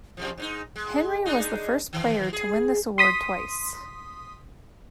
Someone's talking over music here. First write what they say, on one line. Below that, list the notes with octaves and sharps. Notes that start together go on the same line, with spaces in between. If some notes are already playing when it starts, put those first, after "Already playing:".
Henry was the first player to win this award twice.
F2 C3 F3
G#2 D4 D#4
G#3
G#3 D4 D#4
D#3 E3
G#4
C6 D#6 B6 D#7